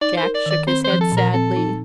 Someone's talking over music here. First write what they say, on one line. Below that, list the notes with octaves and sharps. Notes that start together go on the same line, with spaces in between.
Jack shook his head sadly.
D#4 D5
C5
A#4
D5
D#3 D5
C4 C5
C5
F3
A4
A#2
A#4
C4 A4
D#4